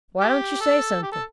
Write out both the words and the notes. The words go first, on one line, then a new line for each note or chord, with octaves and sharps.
"Why don't you say something?"
G4
A4
G4
A4